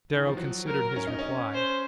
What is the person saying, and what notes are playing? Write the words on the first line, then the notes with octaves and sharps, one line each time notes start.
Darrow considered his reply.
D#3
F3
F#3
A#4
C#4
D#4
C#4
C5